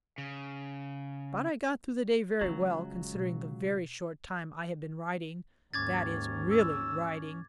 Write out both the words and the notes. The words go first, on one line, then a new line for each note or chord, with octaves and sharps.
But I got through the day very well, considering the very short time I have been riding--that is, really riding.
C#3
C#2 E3 F#3 A3
D#1
B2
D#2 G#2 C#4 D6 G#6 A6
E6